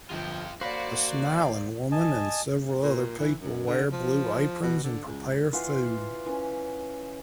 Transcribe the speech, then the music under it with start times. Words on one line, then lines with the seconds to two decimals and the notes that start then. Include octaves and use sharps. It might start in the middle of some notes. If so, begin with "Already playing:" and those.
A smiling woman and several other people wear blue aprons and prepare food.
0.11 G1 F3 F4 G5
0.61 A#3 F#4 C5 D5 F5 B5
1.92 D#5 G#5 A5
2.83 A#2
3.18 E3
3.40 F#2
3.67 D3
3.92 F3
4.63 B2
4.84 D3
5.05 C#2
5.53 E3 F4 F#5 C6
6.26 E3 C#4